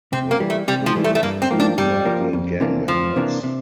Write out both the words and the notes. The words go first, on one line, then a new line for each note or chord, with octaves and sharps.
The killing of two rival gang members.
C3 C4
A#3
E3 G3
A3
C3 G3
F3
E3 G3
A3
A3
G2 A#3
C4
F3 A#3
D4
G2 G3
F3 A#3
F2
C3 E3 A#3 D4
F2 F3
C3 E3 A#3 D4
C3